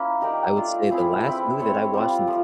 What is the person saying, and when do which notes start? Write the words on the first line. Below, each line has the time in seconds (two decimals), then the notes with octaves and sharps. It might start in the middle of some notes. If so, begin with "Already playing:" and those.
I would say the last movie that I watched in th
Already playing: A#3 C#4 E4
0.21 D#4 G4 A#4 D5
0.56 A3 D4 F4
0.90 A3 C4 E4 G#4
1.24 C4 E4 G#4 B4
1.59 C4 E4 A4 C#5
1.94 G3 C4 F4
2.27 F3 A3